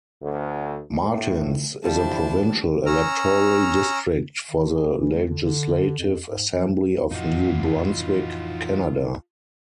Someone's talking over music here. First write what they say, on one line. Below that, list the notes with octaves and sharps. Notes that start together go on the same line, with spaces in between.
Martins is a provincial electoral district for the Legislative Assembly of New Brunswick, Canada.
D2
A2
D#2 F3 G3 D4 E4 C5 A5
C#4 A#5 E6 F6
D#3
G#4
E3
A3
D3
D3
F2
G#2
F3
F2 A2 C3 E3 D#4 F4 F#4